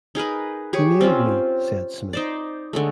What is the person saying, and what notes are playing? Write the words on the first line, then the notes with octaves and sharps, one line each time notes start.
"He nailed me," said Smith.
D#4 G#4 A#4 B4
G4 G#4 C#5
C4 C#4 F4
D#4 C5 D5
D3 G#3 A3